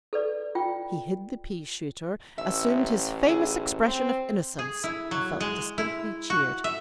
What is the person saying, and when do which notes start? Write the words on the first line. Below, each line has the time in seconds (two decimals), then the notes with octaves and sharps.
He hid the pea-shooter, assumed his famous expression of innocence, and felt distinctly cheered.
0.13 A4 B4 D5
0.55 F4 G5
2.38 A1 E5
3.29 E4 G#4
3.84 C4
4.59 G#4
4.84 E4
5.11 F#3
5.40 G#3
5.78 E4
6.30 F#4
6.64 E5